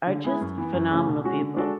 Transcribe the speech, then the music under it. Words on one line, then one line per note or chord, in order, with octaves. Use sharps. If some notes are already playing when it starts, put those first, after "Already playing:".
are just phenomenal people.
D3
G#3 B3 E4 G#4
F#2
E3 B3
F#2
C#3 E3 A3 C#4
B2
G#3 C#4 F#4
D3
G#3 D4 F#4 A4